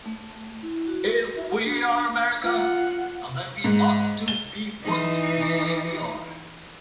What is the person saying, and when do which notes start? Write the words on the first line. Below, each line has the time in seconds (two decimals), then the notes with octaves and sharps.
If we are America, then we ought to be what we say we are.
0.06 A3
0.63 E4
0.87 F#4
1.66 D4
2.44 F4 F#5
3.64 G#2
4.28 G7
4.84 E3 D#4